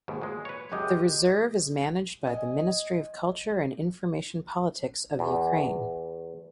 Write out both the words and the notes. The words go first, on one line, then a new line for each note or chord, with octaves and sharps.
The reserve is managed by the Ministry of Culture and Information Politics of Ukraine.
D#2 G#2 B2
A#2 G#3
B4 C#5
C#2 F#2 G#3 G4 D#5
D#5 G#5
E2